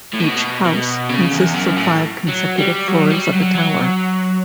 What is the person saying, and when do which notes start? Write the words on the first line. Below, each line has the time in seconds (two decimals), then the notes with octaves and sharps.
Each "house" consists of five consecutive floors of a tower.
0.14 A2
0.20 B2
0.65 B2
1.09 C#3
1.32 E2
1.54 F#2
1.76 A2
2.28 F#3
2.58 G3
2.88 F#3
3.10 G3
3.33 F#3
3.55 F#3